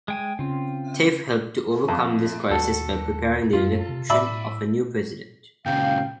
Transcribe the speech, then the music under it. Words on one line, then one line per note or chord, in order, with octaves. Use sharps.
Taif helped to overcome this crisis by preparing the election of a new president.
G#3 G5 G#5
C#3 C4 F4
F2
D#2 F#4 A4
F#2 F4
C3
A2 D5 E5 B5
A#2 C#3 F5 G5